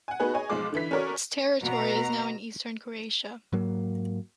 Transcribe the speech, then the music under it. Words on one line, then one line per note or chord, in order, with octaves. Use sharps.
Its territory is now in eastern Croatia.
F#5 G#5
B3 D#4 F#4 G#4 B4
G#4 C#5 D#5 G#5
B1 B2 F3 G#3 D6
D3 E3 B6
C#4 F#4 A4 A#4 C#5 D5
B2 A#5
G#2 F#3 A#3